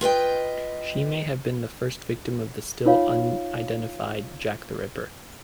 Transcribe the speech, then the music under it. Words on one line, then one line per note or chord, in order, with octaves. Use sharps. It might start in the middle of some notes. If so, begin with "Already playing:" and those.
She may have been the first victim of the still-unidentified Jack the Ripper.
F4 B4 D#5 G5
D#4 F4 C#5 F5